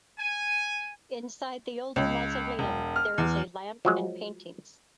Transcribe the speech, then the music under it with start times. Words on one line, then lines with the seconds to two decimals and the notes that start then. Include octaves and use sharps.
Inside the older mausoleum there is a lamp and paintings.
0.19 G#5
1.96 C#2
2.59 E1
2.96 F6
3.18 E2
3.85 F3 F#3 G#3